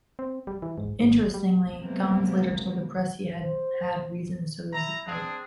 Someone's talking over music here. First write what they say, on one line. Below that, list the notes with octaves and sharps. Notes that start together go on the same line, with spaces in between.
Interestingly, Gans later told the press he had had reasons to lose the fight.
C4
G3
E3
G#2
G#1
G3
C3 F#3 G#3 A#3 B3
C5
E4 A#5
C4 D4 G#4